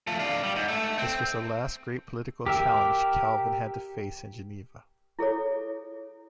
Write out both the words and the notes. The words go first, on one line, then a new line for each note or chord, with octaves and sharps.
This was the last great political challenge Calvin had to face in Geneva.
F3 A3
D4 F5
G3
G#2
A3
C4
G4 A#4 E5
E4 G#4 A4 C#5